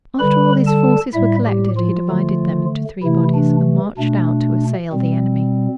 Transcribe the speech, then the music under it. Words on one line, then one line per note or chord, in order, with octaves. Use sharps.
After all his forces were collected, he divided them into three bodies, and marched out to assail the enemy.
D3 G3 B4 B5
A4 A5
A2 G3 E4 E5
G3 G4
F3 F4
D3 A3
C3 E3 A3 E4
D4
B2 A3 D4
B2 G3 C4